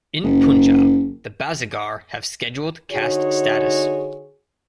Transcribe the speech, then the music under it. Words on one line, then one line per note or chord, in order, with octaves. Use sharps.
In Punjab, the Bazigar have Scheduled Caste status.
F#1
D3 D#4 F#4 G#4 C#5